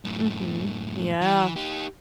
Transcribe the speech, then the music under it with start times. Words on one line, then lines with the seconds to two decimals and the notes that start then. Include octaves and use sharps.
Mhm. Yeah.
0.05 F#2 A2
1.21 E3
1.56 D#4 G4